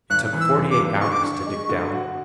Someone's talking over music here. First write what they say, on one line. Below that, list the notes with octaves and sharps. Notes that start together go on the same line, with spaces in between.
It took forty-eight hours to dig down.
G#1 F#6
E3
E6
F#2
D6
G#1
D3 C#6
D6
D4 C#6
G#3
D3
F#4